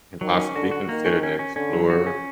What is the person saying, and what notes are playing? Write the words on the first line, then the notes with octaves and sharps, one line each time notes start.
can possibly considered an explorer,
D#3 F#3
C#4
D3 F#4
F#4
D#3 A#3
C#4
C#4
C#4
D3 C#4
F#3
C#3 F#4
C#4